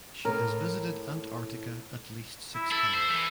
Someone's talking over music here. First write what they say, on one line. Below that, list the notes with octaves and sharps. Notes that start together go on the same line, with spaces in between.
She has visited Antarctica at least six times.
A2 A#4
E4
E4 A4
C5
E3